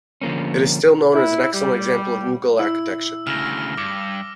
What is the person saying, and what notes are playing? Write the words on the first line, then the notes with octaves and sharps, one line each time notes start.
It is still known as an excellent example of Mughal architecture.
D3 F3 A#3 C#4
E4
G3
E4 E6
D2 C#3 F6 A#6
G2 D6